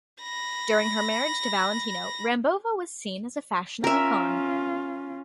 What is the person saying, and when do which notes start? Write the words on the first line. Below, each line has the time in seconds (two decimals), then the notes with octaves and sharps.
During her marriage to Valentino, Rambova was seen as a fashion icon.
0.22 B5 A#6
3.84 C#4 F4 A#4 E5